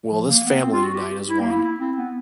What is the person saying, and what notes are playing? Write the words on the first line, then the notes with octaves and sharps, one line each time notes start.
Will this family unite as one?
F3
A#3
B3
C4
F4
F#4
G4
E4
A#3
E4
E4
C4
B3